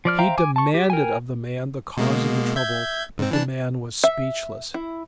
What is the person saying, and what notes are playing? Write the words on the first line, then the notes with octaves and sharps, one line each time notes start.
He demanded of the man the cause of the trouble, but the man was speechless.
F3 D5 F6
C5 E5 F5 G5 A#5
G#5 D6
A5 C#6
G4
A#4 G5 G#5
B2 G#3 A#3
E5 G6 G#6
G#2 C4
E3 D4 A5
E5
E4